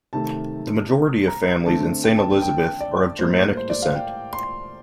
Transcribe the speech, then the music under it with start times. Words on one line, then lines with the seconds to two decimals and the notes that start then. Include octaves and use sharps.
The majority of families in Saint Elizabeth are of Germanic descent.
0.13 C3 D#3 A3 A5
1.28 A#5
1.66 D3 A3 C4 A5
2.04 G5
2.17 A5
2.30 G5
2.42 G5
2.81 D5
3.19 A2 G3 A#3 C5
3.57 C5
3.70 D5
3.82 F5
3.95 G5
4.33 C6